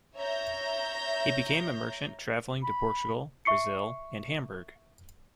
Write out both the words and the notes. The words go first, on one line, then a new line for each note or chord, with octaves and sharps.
He became a merchant travelling to Portugal, Brazil and Hamburg.
C#5 E5 A#5 G6 A#6
B5
E5 C#6 C7 C#7